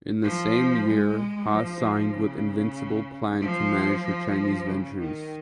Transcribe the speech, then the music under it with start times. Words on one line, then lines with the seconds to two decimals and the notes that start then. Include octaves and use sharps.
In the same year, Ha signed with Invincible Plan to manage her Chinese ventures.
0.23 F3
0.87 G#3
1.50 F3
2.14 C#3
3.40 F3
4.04 F3
4.67 C#3
4.98 D#3